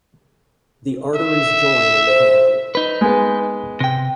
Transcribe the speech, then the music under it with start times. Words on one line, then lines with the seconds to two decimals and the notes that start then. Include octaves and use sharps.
The arteries join in the hand.
1.15 E5
2.07 C5
2.75 D#4 B4
3.01 G#3 B3
3.80 C3 G5